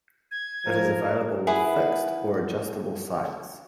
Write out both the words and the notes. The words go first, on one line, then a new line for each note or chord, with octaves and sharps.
It is available with fixed or adjustable sights.
G#6
F3 A#4
E4 G#4 B4 F#5